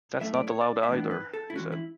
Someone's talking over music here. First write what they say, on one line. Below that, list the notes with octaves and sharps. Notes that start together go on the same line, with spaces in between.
"That's not allowed either," he said.
A2 F#3 A3 C#4 E5
D5
C#5
D5
E5
A2 E3 B3 D4 D5
B4
A4
E4
E3 G#3 C#4 F#4
E4